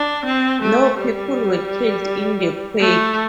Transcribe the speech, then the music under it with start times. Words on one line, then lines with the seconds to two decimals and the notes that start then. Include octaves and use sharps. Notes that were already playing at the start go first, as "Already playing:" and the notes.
No people were killed in the quake.
Already playing: D4
0.26 C4
0.62 A3
0.98 G3
2.80 A3